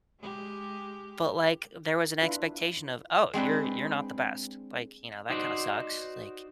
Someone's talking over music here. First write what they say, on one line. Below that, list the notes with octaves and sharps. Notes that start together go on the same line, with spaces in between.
but, like, there was an expectation of, "Oh, you're you're not the best." Like, you know, "That kinda sucks." Like,
G#3 G4
D4 E4 F4 B4
G#3 C4 D4 B4
D#4 F#4 C5 D5